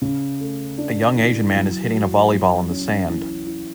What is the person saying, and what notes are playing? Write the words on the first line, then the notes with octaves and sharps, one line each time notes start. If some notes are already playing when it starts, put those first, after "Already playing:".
A young, Asian man is hitting a volleyball in the sand.
C#3
A3
D4
E3
F#3
F#4
F#3
C#4
E3
E4